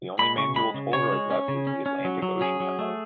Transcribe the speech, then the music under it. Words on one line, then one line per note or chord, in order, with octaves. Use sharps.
The only manual toll road left is the Atlantic Ocean Tunnel.
G#3 B5
C#3 C#6
G#3 B5
C#3
C#3 C#5
G#3
C#4
C#3
C#4
C#4
F#3
F#3
C#4 G#4
F#3
A3